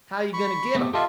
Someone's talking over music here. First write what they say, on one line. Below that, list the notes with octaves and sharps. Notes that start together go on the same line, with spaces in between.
"How you going to get them?"
B5 C#6
A3 B3 G4
F4 G4 A4 D#5 E5